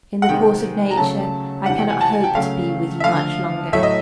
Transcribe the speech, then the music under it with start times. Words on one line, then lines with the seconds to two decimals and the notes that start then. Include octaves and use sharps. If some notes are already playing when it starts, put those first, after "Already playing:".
In the course of nature, I cannot hope to be with you much longer.
0.22 F#5
0.29 C3 D#3 G#3 G5
0.91 A#5
0.97 C#3 F#3 A3 A5
1.66 C3 E3 G3 F#5
1.78 G5
1.90 G#5
2.01 A5
2.12 G#5
2.24 G5
2.35 C#3 F#3 A3 F5
3.00 E5
3.04 D3 F3 A3 F5
3.73 A2 F#3 A3 E5
3.83 D#5